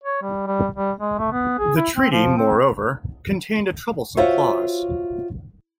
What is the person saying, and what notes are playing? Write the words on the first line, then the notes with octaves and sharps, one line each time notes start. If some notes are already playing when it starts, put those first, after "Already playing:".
The treaty, moreover, contained a troublesome clause.
C#5
G3
G3
G3
G#3
A3
B3
G#4
E4
C4
F3
C4
F4 F#4 C5 C#5 E5